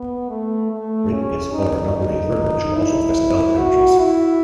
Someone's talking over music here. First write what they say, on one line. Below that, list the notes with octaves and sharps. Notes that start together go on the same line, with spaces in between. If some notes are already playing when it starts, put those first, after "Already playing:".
Rape is, however, not only a third world issue but also affects developed countries.
Already playing: B3
A3
A3
C#4
D#4
E4
F#4
E4